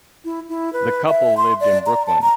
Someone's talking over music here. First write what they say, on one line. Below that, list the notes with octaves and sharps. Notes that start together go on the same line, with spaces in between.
The couple lived in Brooklyn.
E4
E4
B4
E5
C6
D5
A#5
A5
A#5